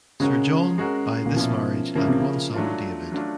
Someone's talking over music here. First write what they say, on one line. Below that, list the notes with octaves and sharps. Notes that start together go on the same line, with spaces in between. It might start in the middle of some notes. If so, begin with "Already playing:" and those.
Sir John by this marriage had one son David.
C#3 G#3 C#4 F#4 A#4
G#3 C#4 F#4 A#4
A#2
B2 F3 A#3 C#4 E4
C#3 F3 A#3 C#4 E4
C3
C#3
F#3 A3 D4 F4
F#3 A3 D4 F4